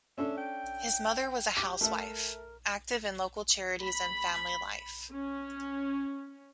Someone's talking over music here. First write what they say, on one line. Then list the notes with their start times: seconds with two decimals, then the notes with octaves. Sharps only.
His mother was a housewife, active in local charities and family life.
0.18 C#4 D4 A4 E5
0.38 G5
1.57 G4 D6
1.81 A3 A4 A#4 E5
3.82 B5
5.12 C#4